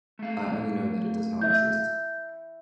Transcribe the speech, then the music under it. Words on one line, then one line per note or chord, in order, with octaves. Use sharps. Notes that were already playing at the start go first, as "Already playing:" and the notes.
I only know that it does not exist.
A3 F5
E4 E5 G6